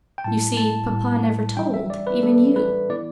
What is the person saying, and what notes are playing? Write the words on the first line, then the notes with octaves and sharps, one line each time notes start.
You see, papa never told, even you.
G5
A2 G3 E4 A5
A5
A2 G3 E4
E3 G3 D4 G5
E5
D5
B4
E3 G3 D4 A4
B4
E3 B3 E4 D5